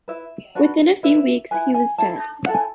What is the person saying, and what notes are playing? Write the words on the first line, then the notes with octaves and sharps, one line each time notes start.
Within a few weeks, he was dead.
E4 B4 E5
D4 F#4 B4
E4 B4 E5
E4 B4 G#5
G#5
E4 A4 A5
E4 A4 F#5
G#5